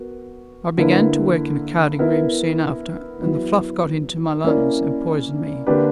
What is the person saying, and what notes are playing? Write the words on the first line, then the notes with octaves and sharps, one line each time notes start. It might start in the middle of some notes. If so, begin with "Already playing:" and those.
I began to work in a carding-room soon after, and the fluff got into my lungs and poisoned me.'
Already playing: B3 F#4 A#4
D3 A#3 E4 B4
B3 E4 A#4 E5
F#3 B3 E4
A#3 C#4 E4 A#4 D5
D3 A#3 D4 G4 B4